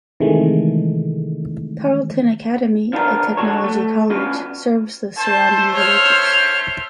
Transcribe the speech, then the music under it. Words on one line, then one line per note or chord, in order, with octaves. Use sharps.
Tarleton Academy, a Technology College, serves the surrounding villages.
C3 D#3 E3 G#3 A3
F3 B3 D4 A#4
D3 F#4 A4 C#5
A3
B3 C#4 D4 F4 F#4
A3 C5 A5
C#5 F6